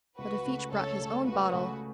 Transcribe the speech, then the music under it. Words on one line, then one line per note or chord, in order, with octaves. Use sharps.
But if each brought his own bottle . . .
C#2 F#4 B4
C#3 A3
C#2 A4 C#5
C#3 A3
C#2 F#4 B4
C#3 A3